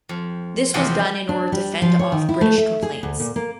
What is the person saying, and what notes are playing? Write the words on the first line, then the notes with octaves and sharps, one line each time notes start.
This was done in order to fend off British complaints.
F2
E2 C3 F3 C5 F#5 G5
D4
G3
F3
C#5
D#3
E4
A3
E5
G#4
D2
A#2
A#3